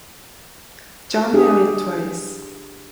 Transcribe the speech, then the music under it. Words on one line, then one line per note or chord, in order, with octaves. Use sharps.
John married twice.
D4 G4 G#4